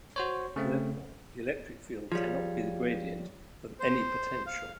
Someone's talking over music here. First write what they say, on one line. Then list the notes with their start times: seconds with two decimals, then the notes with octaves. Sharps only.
Therefore, the electric field cannot be the gradient of any potential.
0.16 F#4 C5 C#5
0.56 C#3 A3 C4
2.12 F3 G3 G#4 C#5 F5
3.80 C5
4.46 F5